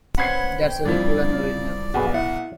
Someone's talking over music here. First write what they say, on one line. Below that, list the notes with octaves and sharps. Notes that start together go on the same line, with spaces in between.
That's really cool and original.
C#4 B4 C5 F#5 B5 G#6 C7
G5
F2 F3 G3 E4 D5
B1 F#4 G#4 B4
B3 E4 F#5